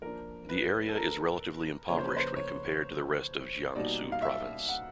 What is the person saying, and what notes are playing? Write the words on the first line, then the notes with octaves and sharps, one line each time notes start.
The area is relatively impoverished when compared to the rest of Jiangsu Province.
F3 A#3 D4 A#4
B4
A4
A#4
C#3 F3 A#3 C#4 C#5
C5
B4
C5
C#5
B2 G3 A#3 D#4 D5
F5
E5
F#5